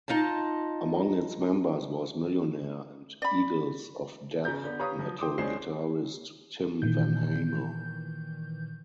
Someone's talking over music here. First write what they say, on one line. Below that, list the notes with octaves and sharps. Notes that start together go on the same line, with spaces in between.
Among its members was Millionaire and Eagles of Death Metal guitarist Tim Vanhamel.
D#4 F4 D#5 A5
D5 B5
C#3 A#5 G6
D3 B3
G4 B4 C#5 F5 A#5 D#6
F3 F#3
G5 C6 D6 D#6
C2 G#3 C#4 D4 C5 C7
A#2 D#3 E3 G6